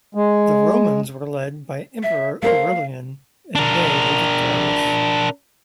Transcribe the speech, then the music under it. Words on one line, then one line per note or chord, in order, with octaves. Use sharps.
The Romans were led by Emperor Aurelian, and they were victorious.
G#3
E5
A3 A#4 C5 F5
D4 A#4